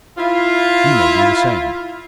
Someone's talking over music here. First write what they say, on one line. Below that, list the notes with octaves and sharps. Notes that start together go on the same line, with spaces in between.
He may be the same.
E4 F4